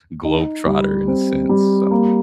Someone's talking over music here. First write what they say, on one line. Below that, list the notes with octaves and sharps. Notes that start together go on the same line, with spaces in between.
globetrotter in a sense. So,
D#4
G3
C4
G3
A#3